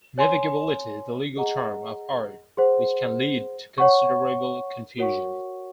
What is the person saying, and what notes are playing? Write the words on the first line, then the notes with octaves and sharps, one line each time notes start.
'Navigability' is a legal term of art, which can lead to considerable confusion.
C#5 G#5 C6
G#4 D#5 F#5 A#5
G#4 C5 F#5 C6
C#5 F#5 C#6
F#4 A#4 C#5 F#5 C#6